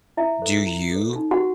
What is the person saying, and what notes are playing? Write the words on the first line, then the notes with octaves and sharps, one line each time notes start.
do you
E4 E5
A4 C5
E4
A4 C5
D#4
F#4 F#5
G4